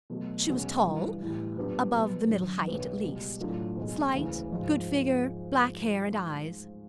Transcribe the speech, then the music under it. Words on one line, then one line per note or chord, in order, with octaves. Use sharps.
"She was tall, above the middle height, at least; slight, good figure, black hair and eyes."
B2 F#3 A3
B1 B2 G#3 C#4 F#4
G1 G2 E3
A2 E3 G3
A#2 F#3 B3 D4 G4
B2 F#3 B3
F#2 D3 F#3
B1 B2 F#3 B3
C#2 B2 G3
A2 F#3 A3 D4 F4
B1 B2 G#3
D2 C#3 E3
G#2 F3 G#3